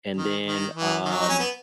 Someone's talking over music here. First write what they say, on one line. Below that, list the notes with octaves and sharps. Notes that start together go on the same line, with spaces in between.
and then, um,
D#3
D#3
E3
D#3 F#3
D#4
C#4
B3